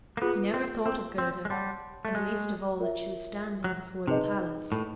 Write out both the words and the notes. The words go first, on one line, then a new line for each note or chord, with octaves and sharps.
He never thought of Gerda, and least of all that she was standing before the palace.
A#3
B3 F4 G#4 B4
C4
C4
C4
G#3
G3 C#5 F#5 A5 C6
A3
G#3
F4 A#4 C#5 E5
F#3
C3 D#4 G#4 B4 D#5
A2